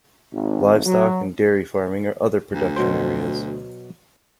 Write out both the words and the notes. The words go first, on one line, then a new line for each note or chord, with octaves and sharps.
Livestock and dairy farming are other production areas.
G#1
F#3
D2
B2 F#3 C5